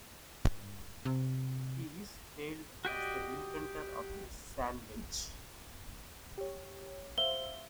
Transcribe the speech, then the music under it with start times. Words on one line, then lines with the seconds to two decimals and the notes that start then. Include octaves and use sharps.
He is hailed as the inventor of the sand wedge.
1.05 C3
2.85 F#4 G4 D5 D#5
6.38 G4 C#5
7.18 C5 E5 F5 G7